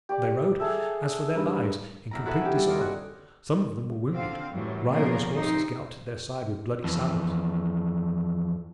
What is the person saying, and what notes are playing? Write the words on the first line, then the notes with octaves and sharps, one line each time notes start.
They rode as for their lives, in complete disorder; some of them were wounded; riderless horses galloped at their side with bloody saddles.
G4 D5 D6
G#4 A4 E5
G2 A#4 A#5 B5
E2 E4 A#5
E4 F#4 G#4 A4 B4 E5
C#4 G4
G3
D#4 F4 C#5 D5
F#4
D3 C4 F5
F#2 A2 E3 F#3 G3
A#2 C#3 F3 A#3 B3 A#4
G2 C3 C4 D#4
F2 E3